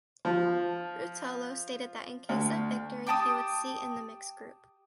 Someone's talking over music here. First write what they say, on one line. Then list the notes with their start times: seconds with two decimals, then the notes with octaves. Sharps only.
Ruotolo stated that in case of victory he would seat in the Mixed Group.
0.25 F3
2.29 D2
3.07 G4 G5 A5 D#6